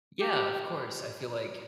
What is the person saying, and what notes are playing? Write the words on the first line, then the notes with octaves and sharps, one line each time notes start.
Yeah, of course. I feel like
G4